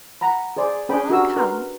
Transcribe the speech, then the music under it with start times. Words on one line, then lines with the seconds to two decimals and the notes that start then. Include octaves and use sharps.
Well, I'll come.
0.21 F#5 A#5 B5
0.56 G#4 C5 D5 C6
0.89 C#4 G#4 A#4 C5 G5 B5
1.09 D4 F#4 G4 A#4 A#5 E6
1.37 A#4 B4 C6